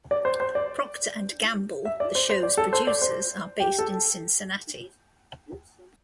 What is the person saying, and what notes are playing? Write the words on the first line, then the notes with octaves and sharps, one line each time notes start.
Procter and Gamble, the show's producers, are based in Cincinnati.
D5
C5
C5
D5
E5
D5
C5
C5
D5
A4
C5
D5
C5
G4
A4